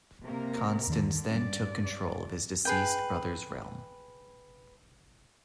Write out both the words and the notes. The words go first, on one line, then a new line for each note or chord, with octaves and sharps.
Constans then took control of his deceased brother's realm.
C3 A#3 A#4
E2 D3 D#3
G2 G3 G#3 C#4 D5
G#4 B4 G5